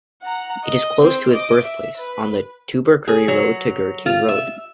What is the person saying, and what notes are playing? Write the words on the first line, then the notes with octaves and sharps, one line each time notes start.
It is close to his birthplace, on the Tubbercurry to Gurteen road.
F#5 A#5
D#5
C4 C5
D#5 D6
E5
B4
G#4
F#3
F4
E5